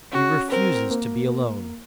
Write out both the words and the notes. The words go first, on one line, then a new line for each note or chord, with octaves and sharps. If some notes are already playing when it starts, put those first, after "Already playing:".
He refuses to be alone.
C#4 F#4
C4 A#4
A#3